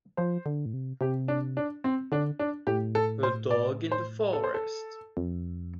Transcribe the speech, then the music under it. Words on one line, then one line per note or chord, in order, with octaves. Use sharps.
A dog in the forest.
F3 C5
D3
A2
C3
C3 G4
D4
D4
C4
D3 D4
D4
A2 G4
A4
C5
D5
C5
A4
C5
A4
F2